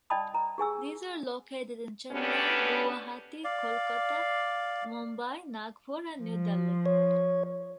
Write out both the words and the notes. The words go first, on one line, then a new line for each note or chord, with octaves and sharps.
These are located in Chennai, Guwahati, Kolkata, Mumbai, Nagpur and New Delhi.
D5 D#5 G5 A5 B5 D#6
A#5
G4 G#4 G#5 E6
D2 B3 C#4 D4 G4 B4
D5 F5
F3
C#5